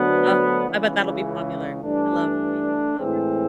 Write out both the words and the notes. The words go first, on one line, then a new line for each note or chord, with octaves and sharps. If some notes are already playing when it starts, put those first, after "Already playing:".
Oh, I bet that'll be popular. I love painting flowers.
Already playing: D2 D3 F#3 B3 D4
C#2 C#3 E3
G2 E3 A3 D4
A2 E3 G#3 C4